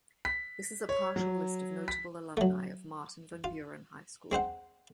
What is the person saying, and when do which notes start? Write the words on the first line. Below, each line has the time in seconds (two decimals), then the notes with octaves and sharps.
This is a partial list of notable alumni of Martin Van Buren High School.
0.25 B6
0.89 C#5
1.16 F#3
1.88 B6
2.37 F#3 A3
3.44 F4
4.32 G#3 C4 C5 F#5